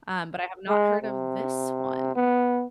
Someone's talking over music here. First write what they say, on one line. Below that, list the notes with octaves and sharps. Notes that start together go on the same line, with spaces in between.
um, but I have not heard of this one.
G#3
C3
B3